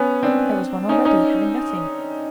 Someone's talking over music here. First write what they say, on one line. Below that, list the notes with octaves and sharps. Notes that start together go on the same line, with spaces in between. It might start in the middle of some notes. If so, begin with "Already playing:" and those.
I was one already, having nothing.
Already playing: B3 C#4
C4 D4
C#4 D#4
C#4 D#4